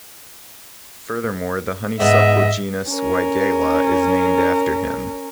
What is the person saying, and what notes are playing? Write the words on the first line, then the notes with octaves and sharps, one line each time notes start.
Furthermore, the honeysuckle genus "Weigela" is named after him.
G#2 B3 D#5 E5
C#4 A#4